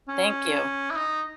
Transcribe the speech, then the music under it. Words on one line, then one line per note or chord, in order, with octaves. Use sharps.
Thank you.
C#4
E4
D#4